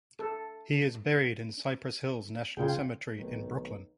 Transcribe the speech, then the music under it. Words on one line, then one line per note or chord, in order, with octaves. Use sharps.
He is buried in Cypress Hills National Cemetery in Brooklyn.
A4
C#3 F4 G#4 G5
B1 F2 D#3 A3